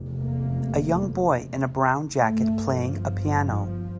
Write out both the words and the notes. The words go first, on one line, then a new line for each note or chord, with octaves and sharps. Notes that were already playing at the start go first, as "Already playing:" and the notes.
A young boy in a brown jacket playing a piano.
Already playing: F1 E2 C3
A#3
G1 G2 A3
F3